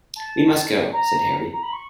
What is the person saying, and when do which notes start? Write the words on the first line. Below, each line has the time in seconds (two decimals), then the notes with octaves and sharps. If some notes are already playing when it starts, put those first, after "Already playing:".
"We must go," said Harry.
0.16 A5
0.93 A#5
1.52 A#5
1.63 B5
1.73 C#6